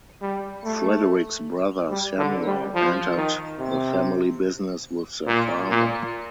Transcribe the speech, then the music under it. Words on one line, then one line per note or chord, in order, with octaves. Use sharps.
Frederick's brother Samuel entered the family business with their father.
G3
A3
G3
D3
G3
F3
D#3
C3
A#2
A#2